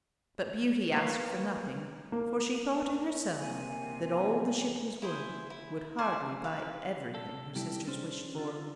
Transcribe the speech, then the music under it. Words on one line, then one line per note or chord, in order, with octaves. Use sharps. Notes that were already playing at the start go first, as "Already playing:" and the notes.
But Beauty asked for nothing; for she thought in herself that all the ship was worth would hardly buy everything her sisters wished for.
A#3 B4 C#5
A#3
C3 A#3 G#5
E4 G#4 C5
E4
C5 D5 G#5 B5
B4 F5
A4
C3 G3 E4 G4 A4
C#4 D4 G#4 C5
D3 F4